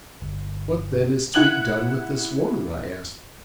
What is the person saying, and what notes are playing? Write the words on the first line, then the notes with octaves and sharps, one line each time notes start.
"What, then, is to be done with this woman?" I asked.
G1
E4 F#5 F#6 G#6 F#7